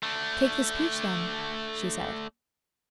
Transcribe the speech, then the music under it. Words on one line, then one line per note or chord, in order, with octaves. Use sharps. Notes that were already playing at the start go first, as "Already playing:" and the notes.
"Take this peach, then," she said.
A3 D4